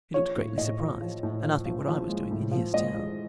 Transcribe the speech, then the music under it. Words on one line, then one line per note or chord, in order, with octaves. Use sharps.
He looked greatly surprised and asked me what I was doing in his town.
F3 C#5
A2
A2 D#5
F3
F3
A2
F3
F3
F3
G#3
A2
F3
G#3 D#5
F3